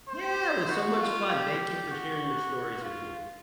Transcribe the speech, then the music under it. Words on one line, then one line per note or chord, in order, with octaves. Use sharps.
Yeah, it was so much fun. Thank you for sharing your stories with me.
C5
F#4
F4
G4
F#4
F4